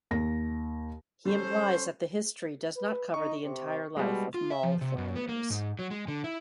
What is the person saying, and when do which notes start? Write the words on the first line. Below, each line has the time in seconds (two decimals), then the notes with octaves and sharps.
He implies that the history does not cover the entire life of Moll Flanders.
0.11 D#2 A#6
1.25 G3 C#4 A4 C5
2.77 B4
3.14 D#4 C#6
3.44 C3
3.97 B2 G3 G#3
4.34 F4
4.50 E5
4.63 F3
4.81 C3
4.98 F#2
5.16 B3
5.29 A#3
5.50 G#2
5.79 F#3
5.91 G#3
6.08 D3
6.24 E4